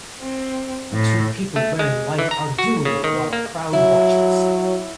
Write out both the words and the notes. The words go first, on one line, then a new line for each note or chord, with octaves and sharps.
Two people wearing white are dueling while a crowd watches.
C4
A2
A3
G#3
E3
A#5
F#4
C#3
D#3
A#3
F#3 E4